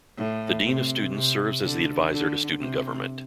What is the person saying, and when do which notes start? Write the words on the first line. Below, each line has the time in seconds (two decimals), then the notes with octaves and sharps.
The dean of students serves as the advisor to student government.
0.17 A2
0.64 C3
1.13 C3
1.62 D3
2.10 D3
2.59 C3